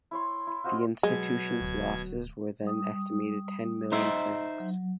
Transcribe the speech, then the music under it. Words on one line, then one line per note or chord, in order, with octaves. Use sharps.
The institution’s losses where then estimated ten million Francs.
E4 C#5 C6
E4
F4 F#4 C5 D#5
B2 F#3 G#3 G#6
D1 D2
G3 D#6
D#4 C5 E5
F#3